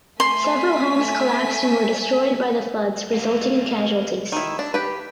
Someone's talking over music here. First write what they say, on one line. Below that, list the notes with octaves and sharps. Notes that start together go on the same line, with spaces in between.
Several homes collapsed and were destroyed by the floods resulting in casualties.
A3 G#5 C6 B6
A3 A4 B4 F5
D#3 E4
D4
G4 B4